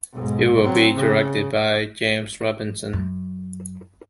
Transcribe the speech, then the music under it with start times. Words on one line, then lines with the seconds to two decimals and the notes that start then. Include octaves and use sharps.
It will be directed by James Robinson.
0.14 B1 G#2
0.61 F#3 C4
0.95 C#3
2.93 F#2